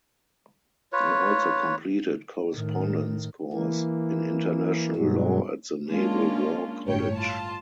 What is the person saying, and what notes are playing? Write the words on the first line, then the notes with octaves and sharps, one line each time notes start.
He also completed correspondence course in International law at the Naval War College.
F4 B4 C#5
A2 D#3
E3 A#3
G2 B2 F#3 G#3
G#3 A#3 C#4 D4 F4
G1 A2 C#5 G5
F4 A5